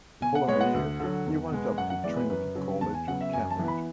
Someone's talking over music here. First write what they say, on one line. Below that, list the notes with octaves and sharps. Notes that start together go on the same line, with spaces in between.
The following year he went up to Trinity College, Cambridge.
B2 G#5
F#5
G#3 B3 C#5
F#5
D2
D3 F#3
E2
B2 G#3 B3
F#2 F#5
F#5
E3 G#3 B3 D5
B4
F#2 B4
C#3 F#3
E2 A5
G#5
C#3 F#3 B3 F#5
E5
F#2 G#5
A5
E3 B3
B5